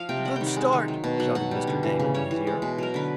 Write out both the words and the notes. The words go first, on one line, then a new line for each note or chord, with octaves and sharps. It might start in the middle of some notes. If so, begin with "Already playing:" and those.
"A good start!" shouted Mr. Damon in his ear.
Already playing: F3 F5
C3 G5
G3 F#5
D#3 G5
F#5
G#3
D#3
F#3
B2
F#3 F#5
B2 F#5
G3
D3
E3
C#3
G3 C#5
E3
G#3
B2
F#3 A#4
D3 B4